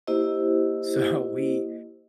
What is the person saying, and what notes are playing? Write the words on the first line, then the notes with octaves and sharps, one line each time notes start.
So we
A#3 E4 G4 C5 D#5